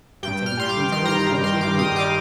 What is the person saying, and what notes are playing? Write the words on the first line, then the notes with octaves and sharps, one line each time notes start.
Containing The Interval Of Thirty-Eight Years.
G2 G5
F6
G3 C6
D6
D#3 C6
A#5
C6
G2 A#5
C6
G2 D6
D#6
G3 D6